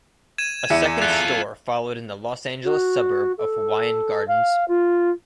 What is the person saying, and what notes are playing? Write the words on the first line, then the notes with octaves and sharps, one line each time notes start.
A second store followed in the Los Angeles suburb of Hawaiian Gardens.
G#6 D#7 E7
E2 E4 C#7
F4 A4 F#6
F#4
A4
F5
F4